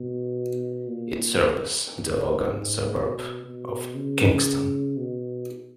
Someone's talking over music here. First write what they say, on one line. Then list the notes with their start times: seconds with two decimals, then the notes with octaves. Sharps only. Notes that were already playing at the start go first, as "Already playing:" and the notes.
It serves the Logan suburb of Kingston.
Already playing: B2
0.88 A#2
2.41 G#2
2.93 B2
3.44 B2
3.95 C#3
4.97 B2